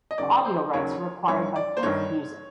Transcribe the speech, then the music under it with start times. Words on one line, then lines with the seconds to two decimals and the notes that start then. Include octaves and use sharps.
The audio rights were acquired by Think Music.
0.11 D#5
0.18 D#2 C#3 F#3 D5
0.46 C5
0.73 D#2 C#3 F#3 C#5
1.28 G1 G2 D#3 C#5
1.56 D5
1.77 C5
1.83 G1 G2 D#3 C#5